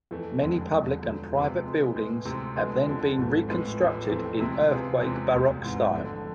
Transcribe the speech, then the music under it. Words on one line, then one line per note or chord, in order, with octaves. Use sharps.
Many public and private buildings have then been reconstructed in earthquake Baroque style.
F2 E3 A3
F1 F2 D3 G#3
E1 E2 D3
E1 D2 D3 F3
C3 F3 G#3 B3 F4
C3 G#3 B3
A2 G#3 B3
D2 C3 E3 G#3 C4
D2 D3 F3 G#3 B3
F2 D3 F3
G#1 G#2 E3 A3
A2 F3 G#3 B3
A1 A2 E3 B3
F1 F2 E3 A3 C4
D2 C3 G#3 C4 E4
C3 F3 B3 F4 G#4
E2 C3 E3 G#3
E1 D2 C3
G#1 G#2 E3 B3
F2 D3 A3